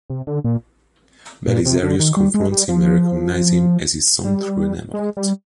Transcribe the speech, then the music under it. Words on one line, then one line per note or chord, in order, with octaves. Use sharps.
Belisarius confronts him and recognizes him as his son through an amulet.
C3
D3
A#2
A#2
C3
D3
D#3
G3
G#3
G3
F3
G3
G#3
G3